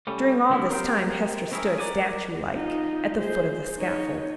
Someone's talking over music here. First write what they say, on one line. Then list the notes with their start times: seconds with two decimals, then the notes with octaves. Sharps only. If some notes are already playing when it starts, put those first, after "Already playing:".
During all this time, Hester stood, statue-like, at the foot of the scaffold.
0.07 C3 G3 A3 C#4
0.50 C#2 F#2 G3 C#4 D#4 E4
0.69 G4 A#4 C5 D#5 F5 G5
1.51 C4 C#4 E4 F4 G#4 A#4
1.78 A#4 B4 D5 F#5 G#5
2.54 D#4 F4
3.17 G#4 C5
3.78 D#4 C#5